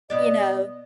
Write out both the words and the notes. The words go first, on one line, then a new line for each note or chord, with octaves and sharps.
You know?
B2 B3 D5 D#5